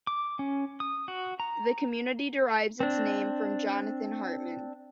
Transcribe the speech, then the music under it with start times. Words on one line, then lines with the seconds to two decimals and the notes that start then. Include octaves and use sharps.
The community derives its name from Jonathan Hartman.
0.07 D6
0.39 C#4
0.80 D#6
1.08 F#4
1.40 A#5
2.80 C4 D4